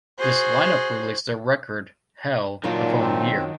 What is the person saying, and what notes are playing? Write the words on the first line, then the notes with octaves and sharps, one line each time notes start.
This lineup released the record "Hell" the following year.
F#4 G#4 C5
A#2 D#3 F#3 D4 D#4 F4
C4